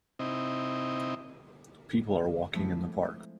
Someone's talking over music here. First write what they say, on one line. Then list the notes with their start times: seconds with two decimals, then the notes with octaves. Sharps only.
People are walking in the park.
0.19 C3 C4 D#4 E4 D#5
2.54 F3 G#3 A3 C4 E4 E5